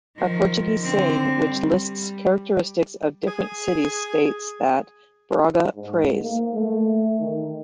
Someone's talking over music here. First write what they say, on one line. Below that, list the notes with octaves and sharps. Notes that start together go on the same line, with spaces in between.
A Portuguese saying which lists characteristics of different cities states that "Braga prays".
D#3 F3
D3 C4
G3
G#4
G#2
A#3
A3
D#3